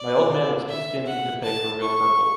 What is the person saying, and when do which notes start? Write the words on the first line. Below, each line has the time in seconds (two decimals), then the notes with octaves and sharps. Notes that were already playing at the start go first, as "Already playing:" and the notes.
My old man was too stingy to pay for real purple.
Already playing: D5
0.69 E5
1.06 F#5
1.43 A5
1.81 C#6